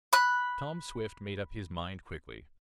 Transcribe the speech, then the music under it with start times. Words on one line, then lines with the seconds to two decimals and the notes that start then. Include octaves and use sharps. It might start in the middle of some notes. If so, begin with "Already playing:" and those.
Tom Swift made up his mind quickly.
0.13 B5 F#6